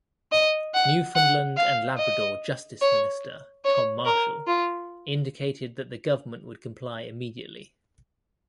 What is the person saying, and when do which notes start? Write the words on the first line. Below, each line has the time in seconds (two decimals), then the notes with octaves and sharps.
Newfoundland and Labrador Justice Minister Tom Marshall indicated that the government would comply immediately.
0.32 D#5
0.74 F#5
1.15 F#5
1.57 F5
1.98 D#5
2.82 C#5
3.65 C#5
4.06 A#4
4.47 F4